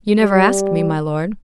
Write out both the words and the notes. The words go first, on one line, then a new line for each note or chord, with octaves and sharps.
"You never asked me, my lord."
G3